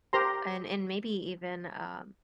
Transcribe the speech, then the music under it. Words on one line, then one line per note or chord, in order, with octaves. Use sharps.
And and maybe even, um,
G4 A#4 C5 A#5 C6